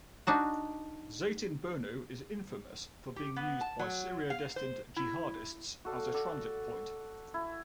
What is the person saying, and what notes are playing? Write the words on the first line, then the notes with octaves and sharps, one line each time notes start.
Zeytinburnu is infamous for being used by Syria destined jihadists as a transit point.
D4 D#4 F#4
G4
B3
A5
F#3
F5
C5
E4
F#4 A4 D5 F5
F#4 A4 D5
E4